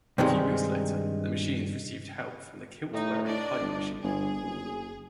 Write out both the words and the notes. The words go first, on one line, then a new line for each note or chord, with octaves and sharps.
A few weeks later the Machines received help from the kilt-wearing Piper Machine.
G2 C3 D#3 G#3
A2 D#4
D4 D5 D#5
G1
G1 G#4
F#1